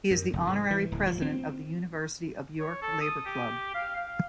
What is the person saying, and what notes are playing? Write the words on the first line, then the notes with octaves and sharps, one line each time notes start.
He is the honorary president of the University of York Labour Club.
F#2
F1
G#2
E3
D1
F3
C4
C#5
A4
D#6
G4
F5
F5